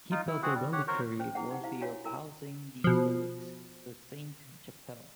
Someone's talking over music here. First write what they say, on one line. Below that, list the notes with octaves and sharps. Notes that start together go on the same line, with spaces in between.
He built a reliquary worthy of housing these relics, the Sainte-Chapelle.
D#4 F4
E4
C4 F#4 G#4 F#5
G3
G4 C#5 F#5
F#4 A#4 C5 C#5
C#4 C5
E4 G#4 C5 F#5
D#4 G4 F#5
E4 C5 F5
D4 F4 F#4 C#5
E4 A#4 G#5
B2 F3